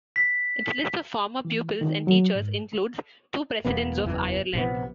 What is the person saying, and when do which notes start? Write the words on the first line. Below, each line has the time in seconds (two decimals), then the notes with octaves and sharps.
Its list of former pupils and teachers includes two Presidents of Ireland.
0.16 B6
1.45 E3
1.81 D#3
2.07 F#3
2.35 G#2
3.65 E1 E2 A#3 B3
4.04 F#1 E2 E3
4.53 A#1 C3 B3